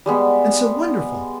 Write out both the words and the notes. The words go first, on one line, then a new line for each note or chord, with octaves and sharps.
And so wonderful!
G3 G#3 B3